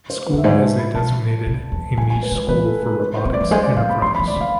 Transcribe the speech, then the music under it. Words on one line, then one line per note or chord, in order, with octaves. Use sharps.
The school is a designated a niche school for robotics enterprise.
C5
B4
F2 E5
G#2 D5
A5
B5
B2 A5
C3
E2
F2 G#5
G#5
G#2
B4
D3
B4
E3 B4
A4
A4
B4
C5
C4
D5
F3
G#3 C5
D5
F3 F5
B5
F3 C6
B5
E3
D5
D3
F5